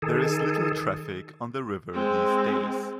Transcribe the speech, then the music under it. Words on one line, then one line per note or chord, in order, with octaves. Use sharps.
There is little traffic on the river these days.
D#3 G#4 A4
G#3 C4